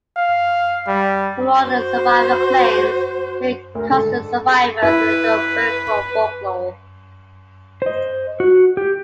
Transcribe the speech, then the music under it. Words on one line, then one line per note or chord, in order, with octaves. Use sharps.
For more on survivor claims, see "Custer Survivors in Little Bighorn Folklore".
F5
G3
F#4 C5
D2 A#4
G#2 D3 A4
G#4 A#5
E4 B4
C5 D#5
F#4
G4